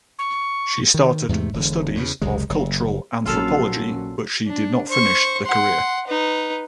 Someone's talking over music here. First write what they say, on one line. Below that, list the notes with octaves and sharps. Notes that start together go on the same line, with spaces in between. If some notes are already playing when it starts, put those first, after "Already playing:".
She started the studies of cultural anthropology but she did not finish the career.
C#6
D#3
E2 G#2 C3 A3
E1 D3
E2 C#3
F#1 C#2 C3 G#3
F#1
A#1 F#3 C#4 F4 A4 F5
D4
C5 C#6
F#5 C6
D#4 B4